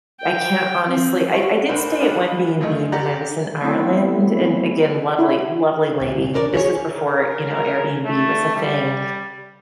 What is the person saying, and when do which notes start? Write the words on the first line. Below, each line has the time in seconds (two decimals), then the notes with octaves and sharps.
I can't honestly I I did stay at one BnB when I was in Ireland. And, again, lovely, lovely lady. This was before, you know, Airbnb was a thing.
0.20 G5
0.87 C4
1.35 C#6
1.69 C#2 A#3 C5 F#5 B5
1.99 D4 F4 G#4 B4 F#5
2.61 F#2 D#3 A3 F4 D#5
2.92 G4 D5 F#5 A#5
3.61 F#3 A3 B3 C4 E4
5.19 E4
6.00 D2 A#2
6.34 C#4 D4 A#4 B4 D5
6.53 F#4 G#4 C5 C#5
6.96 A#4
8.05 A3
8.55 G3